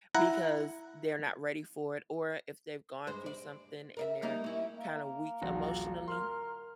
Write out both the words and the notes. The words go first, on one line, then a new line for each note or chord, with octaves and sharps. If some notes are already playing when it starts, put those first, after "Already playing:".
because they're not ready for it, or if they've gone through something, and they're kinda weak emotionally,
E4 F#5 A#5
G2 G#3 C5
D5
A#4 D5 E5
G3 A#3 D#4
C#4 E4
A#3
D#1 A#1 F#4
A#4 C6 F6